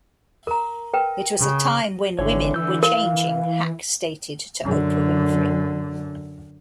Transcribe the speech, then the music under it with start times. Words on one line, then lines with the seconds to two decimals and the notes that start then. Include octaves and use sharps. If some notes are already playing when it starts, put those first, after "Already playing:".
"It was a time when women were changing" Hack stated to Oprah Winfrey.
0.47 A#4 A#5
0.93 A#4 B4 G5
1.39 C#3
2.19 G#1 D3 E3 C#5
2.54 D3 E3 E6 G6
2.83 A#4 F5
4.63 F#2 D3